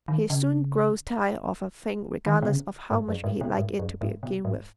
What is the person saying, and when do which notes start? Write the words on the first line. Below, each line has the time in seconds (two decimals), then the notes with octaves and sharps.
He soon grows tired of a thing regardless of how much he liked it to begin with.
0.08 D#3
0.30 C#3
2.26 D#3
2.42 B2
2.48 C#3
2.91 G#2
3.08 F#2
3.24 G#2
3.41 B2
3.57 G#2
3.79 F#2
4.01 G#2
4.23 B2
4.45 G#2